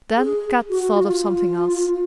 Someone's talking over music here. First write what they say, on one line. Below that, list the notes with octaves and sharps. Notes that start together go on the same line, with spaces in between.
Then Kat thought of something else.
G#4
F#4
F4